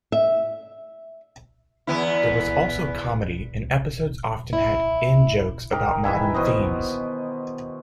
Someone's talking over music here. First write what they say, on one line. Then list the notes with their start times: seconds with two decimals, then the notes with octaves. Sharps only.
There was also comedy and episodes often had "in-jokes" about modern themes.
0.12 E5
1.87 E2 B3 E4
4.53 E4
5.72 D#4 G4 A#4
6.04 D#3 E3 E5 G#5
6.34 B2 C5 D#5